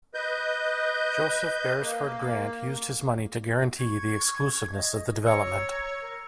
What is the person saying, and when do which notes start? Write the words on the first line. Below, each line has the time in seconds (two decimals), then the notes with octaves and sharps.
Joseph Beresford Grant used his money to guarantee the exclusiveness of the development.
0.14 B4 D#5 G6
1.80 A#3
3.78 C#6 G#6
4.71 D#5
5.26 C#5 A#5 E6 C#7
6.01 A#4